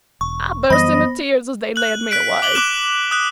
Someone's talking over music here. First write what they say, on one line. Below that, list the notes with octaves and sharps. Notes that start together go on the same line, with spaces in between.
I burst into tears as they led me away.
E1 C#6
F#2 E3 G3 B3 C5 D#5 B5 A#6
F#6 F#7
F#6 B6 D7
D6 F#7 G7
D6 F#6 E7
D#6 F#6